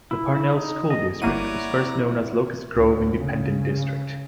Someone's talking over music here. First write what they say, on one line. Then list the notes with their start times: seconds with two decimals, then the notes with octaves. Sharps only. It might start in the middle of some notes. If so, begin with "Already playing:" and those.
The Parnell school district was first known as Locust Grove Independent district.
0.11 E4
0.35 E4
0.56 D#4
0.90 D#5
1.22 G1 A#3 E4 C#5 D5 F#5 A#5 D#7
2.75 D2
3.16 C#3